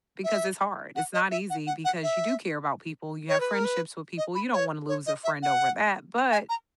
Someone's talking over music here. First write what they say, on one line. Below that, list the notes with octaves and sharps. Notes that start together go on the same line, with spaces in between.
because it's hard; it's not easy because you do care about people, you have friendships with people, you don't wanna lose a friend over that, but
E5
F#5
D#5
E5
F#5
F#5
F#5
E5
C#5
B4
A#4
B4
D#5
B5
C#5
C#5
D#5
E5
F#5
G#5
A#5